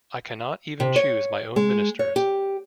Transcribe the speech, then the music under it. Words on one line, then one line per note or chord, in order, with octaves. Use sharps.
I cannot even choose my own ministers.
C3
C#5
G#3
C#5
G4